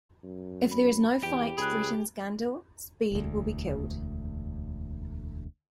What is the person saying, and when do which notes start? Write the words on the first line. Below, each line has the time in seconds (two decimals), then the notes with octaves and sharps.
If there is no fight, threatens Gandil, Speed will be killed.
0.24 F#2
0.71 B5
1.23 E2 G4
1.58 C#2 G#4 B5 F#6
3.12 E1 D2